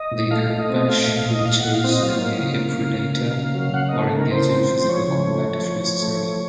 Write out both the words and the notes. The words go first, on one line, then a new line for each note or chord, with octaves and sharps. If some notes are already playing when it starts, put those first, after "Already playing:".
The Akbash will chase away a predator, or engage in physical combat if necessary.
Already playing: D#5
A#2
A3 F5
A3
D#5
C4
A3 F5
F5
A#2
F5
A#2 D#5
A#2 F5
F#5
A#2
F5
C4 D#5
F#3 F5
A#3
C#3
A#3
C#3
C#3
A#3
C#3
F#3
C#3 F#5
A#3 D#5
A4
C#3 A#4
C#3 C5
C4
F3
F3 C#5
C#3
A3
F3
F3
F3
A3
F3